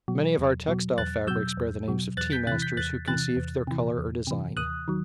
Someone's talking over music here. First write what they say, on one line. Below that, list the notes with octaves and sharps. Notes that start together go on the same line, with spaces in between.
Many of our textile fabrics bear the names of tea-masters who conceived their color or design.
B2 F#3
E2
B2 F#3
E2 F#6 A6
B2 F#3 E6 G6
E2
B2 F#3
E2 F#6 A6
G6 B6
C3 E3 F#6 A6
G6 B6
E2 F#6 A6
C3 E3 F#6 A6
E2
C3 E3
E2
C3 E3
D#2 D#6 F#6
D#3 F#3